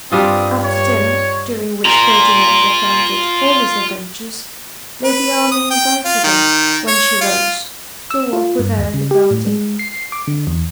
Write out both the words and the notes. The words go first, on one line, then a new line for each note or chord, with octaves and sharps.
After dinner, during which Ferdinand recounted all his adventures, Lady Armine invited him, when she rose, to walk with her in the garden.
G2 G3 C4 D4 F4 D#6
C#5
F4 A#5
B4
D#6
G5
F4
D#3
C#5
F4
E6
F4
G2
D#2
C#3
G4
A2
G#3
C7
D6
D3
E2